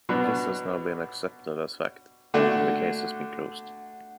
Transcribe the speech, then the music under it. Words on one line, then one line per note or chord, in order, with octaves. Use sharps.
This has now been accepted as fact, and the case has been closed.
B2 F#3 B3 D4
D3 A3 D4 F#4